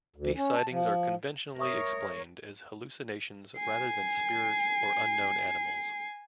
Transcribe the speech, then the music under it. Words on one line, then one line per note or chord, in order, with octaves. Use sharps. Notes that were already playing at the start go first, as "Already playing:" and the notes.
These sightings are conventionally explained as hallucinations rather than spirits or unknown animals.
D2
C#4
A5
F3
A#4 C#5 E5 C#6 D#6
G#5 C7